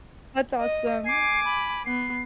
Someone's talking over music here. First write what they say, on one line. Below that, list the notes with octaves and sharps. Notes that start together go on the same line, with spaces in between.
That's awesome.
D#5
G#5 D6 C7
B5
B3 C7